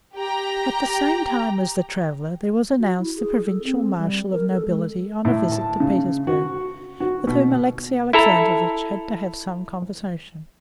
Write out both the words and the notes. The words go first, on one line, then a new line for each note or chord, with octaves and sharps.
At the same time as the traveler there was announced a provincial marshal of nobility on a visit to Petersburg, with whom Alexey Alexandrovitch had to have some conversation.
G4 G5 A#5
F#4
E4
G#4
A4
C4
G3
A#4
A4
G#3
A2
A5
C#3
F#4
F#4
B2
E4 A4 A#5